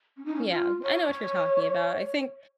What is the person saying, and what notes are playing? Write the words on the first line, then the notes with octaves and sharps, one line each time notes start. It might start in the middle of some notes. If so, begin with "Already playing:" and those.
Yeah, I know what you're talking about, I think
C#4
D#4
C#4
F4
C#5